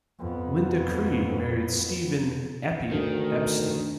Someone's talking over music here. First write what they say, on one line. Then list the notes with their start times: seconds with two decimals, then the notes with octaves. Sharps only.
Linda Creed married Stephen "Eppy" Epstein.
0.19 F2 B3
2.92 D2 D#3